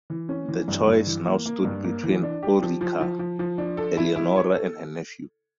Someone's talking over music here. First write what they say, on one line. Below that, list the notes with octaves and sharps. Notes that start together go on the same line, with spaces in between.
The choice now stood between Ulrika Eleonora and her nephew.
E3
C#4
E3
G2
G2
E3
A#3
A#3
G2
A#3
E3
D4
G4
F3
F3
F3
F3
F3
D4
A4
E4
E4
C#5
A4